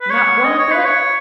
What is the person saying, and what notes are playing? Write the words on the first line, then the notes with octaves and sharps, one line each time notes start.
Not one bit?
B4
C#5
D#5
C#5
B4
C#5